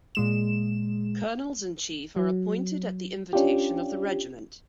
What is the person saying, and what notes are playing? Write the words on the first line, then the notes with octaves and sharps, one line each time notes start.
Colonels-in-Chief are appointed at the invitation of the regiment.
A#2 G#3 E7
F#3
C#4 D4 F4 G4